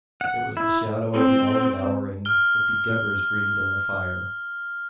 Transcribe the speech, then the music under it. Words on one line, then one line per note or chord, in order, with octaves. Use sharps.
It was the shadow of the All-devouring that the Gheburs greeted in the fire.
F#5
E4
C4
F6 G7